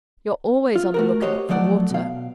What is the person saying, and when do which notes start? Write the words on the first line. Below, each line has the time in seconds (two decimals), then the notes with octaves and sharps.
"You're always on the lookout for water."
0.76 F4
0.94 A3 F#4 A#4
1.22 F#4 G4 C5 C#5 D#5
1.49 F3 F#3 A3 D5 F#5
1.90 B2 F5